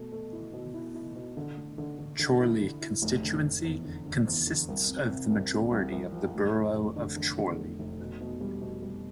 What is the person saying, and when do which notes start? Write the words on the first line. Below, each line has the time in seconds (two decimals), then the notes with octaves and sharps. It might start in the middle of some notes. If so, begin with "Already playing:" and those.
Chorley constituency consists of the majority of the borough of Chorley.
Already playing: B2 A3
0.12 A3
0.33 E4
0.53 B2
0.74 E4
0.94 E4
1.15 B2
1.37 D3
1.57 A3
1.78 D3
1.99 D3
2.19 D3
2.40 E4
2.61 D3
2.81 E4
3.02 F1
3.23 D3
3.43 F1
3.64 E2
3.85 D3
4.06 D3
4.27 E2
4.47 D3
4.68 C2
4.89 C3
5.09 C3
5.30 C2
5.51 C3
5.71 C2
5.92 C2
6.12 F3
6.34 F1
6.54 F1
6.75 F1
6.96 D3
7.16 D3
7.38 D3
7.58 F1
7.79 F1
7.99 B2
8.21 B2
8.41 G3
8.61 B2
8.82 G3